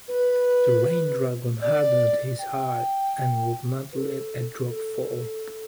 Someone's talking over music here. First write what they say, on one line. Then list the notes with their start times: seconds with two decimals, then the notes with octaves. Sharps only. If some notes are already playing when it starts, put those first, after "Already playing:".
The rain-dragon hardened his hart and would not let a drop fall.
0.08 B4
1.62 D5
2.39 G5
3.93 B4
3.96 A4
4.70 A4